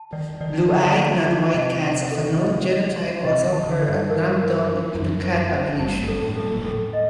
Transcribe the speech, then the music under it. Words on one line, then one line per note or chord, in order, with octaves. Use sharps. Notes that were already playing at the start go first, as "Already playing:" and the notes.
Blue-eyed non-white cats of unknown genotype also occur at random in the cat population.
Already playing: A5
D#3 D5
D#3 D5
D3 A5
A5
F#4
C3 D#5
F#5
A4
D#5
D#5
C6
C3 D#5
D#3
A5
D3
A4
G2
A#4
A#4
A#4
F#2 D4
C5
C5
G2 A5
G2
A4
A2
A4
A#2
A2 A4
D#5